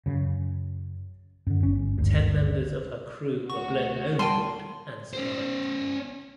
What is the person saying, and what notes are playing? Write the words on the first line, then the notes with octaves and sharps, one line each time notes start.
Ten members of her crew were blown overboard and survived.
F#2 C#3
F#2 D3
G1 C#4
G#1 D2 G2
D2 F#4 C#6
G3 A#4 G5 A5 C6 D#7
C#4 C5